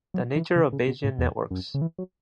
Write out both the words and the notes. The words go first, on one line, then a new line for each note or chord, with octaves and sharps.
The nature of Bayesian networks.
F#3
E3
C#3
C#3
B2
A2
E2
F#2
C#3
E3
F#3